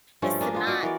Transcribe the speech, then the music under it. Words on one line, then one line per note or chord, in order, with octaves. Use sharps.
is to not,
G2 F3 A3 C#4
A#3 D4 G#4
B3 F4
F#4 D5 D#5
E3 A#4 D5